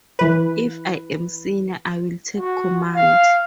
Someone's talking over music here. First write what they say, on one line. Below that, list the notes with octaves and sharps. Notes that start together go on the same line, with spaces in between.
If I am senior, I will take command.
E3 B4
F#4
F5